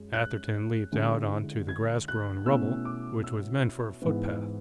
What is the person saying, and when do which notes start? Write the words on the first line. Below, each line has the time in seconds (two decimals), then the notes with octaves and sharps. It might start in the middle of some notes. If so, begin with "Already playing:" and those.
Atherton leaped out on to the grass-grown rubble which was meant for a footpath.
Already playing: F#2 G#3
0.14 F#6
0.92 D3 G#3 C#4 E4
1.69 G#6
2.08 F#6
2.46 B2 A3 C#4 E4 E6
2.85 D6
3.24 E6
4.02 G#2 E3 B3